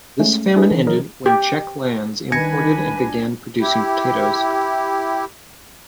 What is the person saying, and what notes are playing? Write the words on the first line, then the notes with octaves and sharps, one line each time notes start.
This famine ended when Czech lands imported and began producing potatoes.
G#3 A3 C#4
D4 E4 G#4 B4
D#3 E3
F#3 A#4 D#5
G4
C2 D#3 D4 B4 G#5 G#6 A#6 C#7
E4 G4